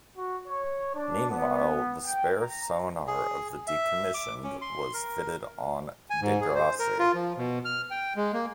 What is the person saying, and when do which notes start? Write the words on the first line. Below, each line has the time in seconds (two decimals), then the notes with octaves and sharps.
Meanwhile, the spare sonar of the decommissioned was fitted on "De Grasse".
0.17 F#4
0.48 C#5
0.95 D4
1.29 B3
2.05 G5
2.41 A#5
3.07 G#4
3.67 E5
4.14 D6
4.43 C#4
4.61 C6
4.94 A#4
6.10 G#5
6.21 G#2
6.41 G#4
6.55 C5
6.79 A#4
6.99 F4
7.15 F3
7.37 B2
7.65 F6
7.91 G5
8.16 G#3
8.33 A#3